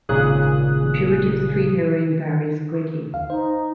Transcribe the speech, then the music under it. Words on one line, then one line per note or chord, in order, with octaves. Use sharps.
The purity of street heroin varies greatly.
G#1 A#2 C#3 G#4 D#6 F#6
D#2 F5
D#4 C5